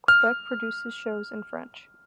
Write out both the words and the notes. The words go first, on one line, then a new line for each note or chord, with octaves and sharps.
Quebec produces shows in French.
F6